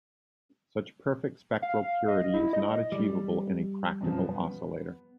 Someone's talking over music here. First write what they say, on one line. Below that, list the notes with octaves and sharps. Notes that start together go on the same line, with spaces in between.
Such perfect spectral purity is not achievable in a practical oscillator.
F5
D#5
E4
D#5
G3
F#2 B2 F3
B3